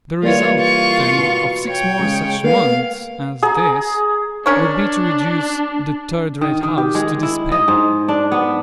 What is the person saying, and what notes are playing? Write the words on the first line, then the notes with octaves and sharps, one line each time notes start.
"The result, then, of six more such months as this would be to reduce the third-rate house to despair."
E3 G3 A#3 F4 C#5
F4 C#6
B2
C#5 G5
C#3 G#3
A#3 B3 F5
G#4 A#5
C#4 D4 A#4 C#5
D#3
D#3
G4
G#3
E4
D#5
G#2
D4
B3